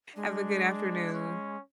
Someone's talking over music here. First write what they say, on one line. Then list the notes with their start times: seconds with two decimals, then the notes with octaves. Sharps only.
Have a good afternoon.
0.16 G#3 D4
1.13 C#4